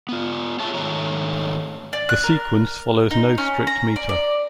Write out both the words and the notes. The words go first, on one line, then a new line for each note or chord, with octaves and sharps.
The "Sequence" follows no strict meter.
B3 F4
G#4 C#5 E5 A5
G#2 D#3 A3 C#5 A#5
D5
F#6
A#4
D#4
C#4
A#5
D5
D5